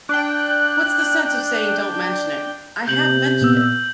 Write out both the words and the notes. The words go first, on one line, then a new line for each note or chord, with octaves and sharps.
What's the sense of saying, 'Don't mention it'? I have mentioned it.
D4 G5 F#6
C3 G6 F#7
A#2 B3 E6